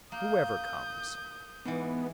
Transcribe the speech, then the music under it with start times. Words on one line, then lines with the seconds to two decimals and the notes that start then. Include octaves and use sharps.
Whoever comes.
0.12 A#3 D#6 G6
1.65 G#2 E3 B3